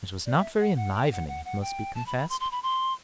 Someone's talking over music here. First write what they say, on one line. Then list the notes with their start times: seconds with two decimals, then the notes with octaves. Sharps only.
It was not very enlivening, it must be confessed.
0.26 D5
0.37 E5
0.60 F#5
0.77 F#5
0.94 G5
1.12 F#5
1.28 F#5
1.45 F#5
1.61 G5
1.95 A5
2.06 B5
2.18 B5
2.29 C6
2.40 C6
2.52 B5
2.63 C6